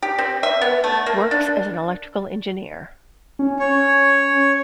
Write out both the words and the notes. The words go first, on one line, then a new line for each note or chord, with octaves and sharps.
Works as an electrical engineer.
G4
C4
E5
B3
A3
A#3
D4
C#4
C#5